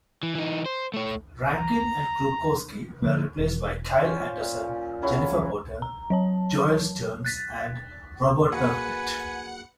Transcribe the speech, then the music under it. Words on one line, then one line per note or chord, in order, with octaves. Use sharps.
Rankin and Krukowski were replaced Kyle Anderson, Jennifer Potter, Joel Stearns and Robert Turknett.
E3
E3 D#4
C5
A3 C#5
A#5
D3 E3 F3 A#3
E1
C#4 F4 C5 D5
A#2
C#3 F#3 E4 A#4
A#5
F#3 C#5 A5
F#6 A6 B6
A#3 F#4 G#4 B4 F#5 G#5 C#7